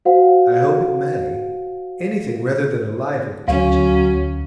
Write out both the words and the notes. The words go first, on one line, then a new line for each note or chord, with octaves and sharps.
I hope it may; anything rather than a life of teaching.
F#4 C5 F5 F#5
D2 D3 F#3 C#4 F5